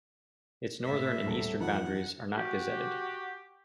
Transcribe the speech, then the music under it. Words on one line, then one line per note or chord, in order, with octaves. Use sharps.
Its northern and eastern boundaries are not gazetted.
A2 E5
D#1 A4
F2 D#3 F#5
F#4 G4